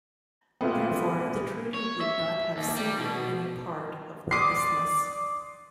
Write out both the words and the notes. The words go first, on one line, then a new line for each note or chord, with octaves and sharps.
Therefore, the Treaty would not have ceded any part of the isthmus.
A#2 A3 B3 C4 F4
C#5
E5
D#2
G3
B2
D5 C6 D6 D#6 C7